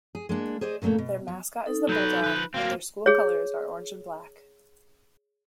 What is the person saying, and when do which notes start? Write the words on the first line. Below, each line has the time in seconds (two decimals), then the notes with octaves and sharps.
Their mascot is the bulldog, and their school colors are orange and black.
0.15 G#4
0.29 G#3 A#3 D4
0.61 G#4 C5 D5 D#5
0.82 A#2 C#3 E3 A3 A#3
0.98 B2
1.28 F#3
1.66 D#4 A4
1.89 F#3 B4 G6
2.24 F3 B4
2.54 A#3 C4 F#4 F5
3.06 G#4 C#5